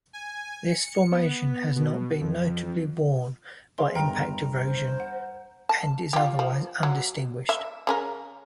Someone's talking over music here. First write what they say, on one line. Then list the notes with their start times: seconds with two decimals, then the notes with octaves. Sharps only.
This formation has not been notably worn by impact erosion, and is otherwise undistinguished.
0.13 G#5
0.71 C#7
1.11 B3
1.76 B2
2.20 F2
3.78 G#4 C5 F5 C6
3.95 G1 E2 G2 A#4 G5
4.63 C5
5.00 F#5
5.69 A5
6.13 F4 G4
6.39 F3
6.83 F#3
7.49 E5
7.87 C#3 C#4 A#4